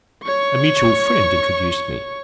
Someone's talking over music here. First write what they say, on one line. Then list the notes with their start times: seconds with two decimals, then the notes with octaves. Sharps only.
A mutual friend introduced me.
0.23 C#5 C#6